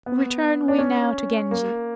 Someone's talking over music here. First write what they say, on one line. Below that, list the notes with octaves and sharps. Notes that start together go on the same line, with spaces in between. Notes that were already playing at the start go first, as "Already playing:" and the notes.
Return we now to Genji.
B3
D4
C#4
A#3